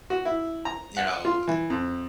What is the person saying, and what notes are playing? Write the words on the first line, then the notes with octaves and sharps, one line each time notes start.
you know,
F#4
E4
A#5
F#5
F4
E3
F2